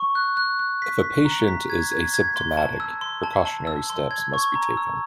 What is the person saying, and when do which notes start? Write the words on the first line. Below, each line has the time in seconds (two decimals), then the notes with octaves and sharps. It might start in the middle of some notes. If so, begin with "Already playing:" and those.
If a patient is asymptomatic, precautionary steps must be taken.
Already playing: C#6
0.15 F#6
0.37 F#6
0.59 F#6
0.82 B6
1.04 B6
1.25 A#5
1.48 B6
1.70 G#6
1.91 G#6
2.14 G#6
2.36 C6
2.57 A5
2.80 E6
3.01 C6
3.23 A5
3.45 A5
3.67 E6
3.90 C6
4.11 G#6
4.34 C#6
4.55 A#5
4.77 E6